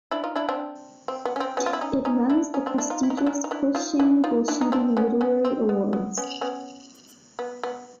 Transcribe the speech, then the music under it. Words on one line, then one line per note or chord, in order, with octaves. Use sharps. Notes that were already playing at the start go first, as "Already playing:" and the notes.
It runs the prestigious Hooshang Golshiri Literary Awards.
D4 E4
D#4 F4
D4 E4
C4 D4
C4
B3
C#4
C4
B3 C#4
F4
E4
C#4 D#4
C#4 D#4
D4 E4
C#4 D#4
C4 D4
D4 E4
D#4 F4
E4
D#4
D4 E4
C#4 D#4
D#4
D4 E4
D#4 F4
D4 E4
D#4 F4
D4 E4
D#4
C4 D4
B3 C#4
B3 C#4
C4
B3
B3
B3 C#4
B3 C#4
B3
B3